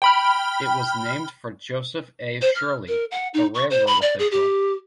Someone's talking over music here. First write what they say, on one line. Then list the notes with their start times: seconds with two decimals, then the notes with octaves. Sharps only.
It was named for Joseph A. Shirley, a railroad official.
0.02 G5 B5 F6
2.42 C5
2.55 F6
2.88 A#4
3.11 F#5
3.34 D#4
3.54 C#6
3.70 C5
3.87 B5
4.02 D5
4.19 G#4
4.32 G4